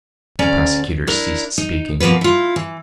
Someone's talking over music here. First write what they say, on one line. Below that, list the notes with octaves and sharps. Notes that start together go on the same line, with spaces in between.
The prosecutor ceased speaking.
D2 C#4 D5 A#5
D4 E4 A#4
D#4
B2 F3 A#3 F#4 B4
E4 F4
E3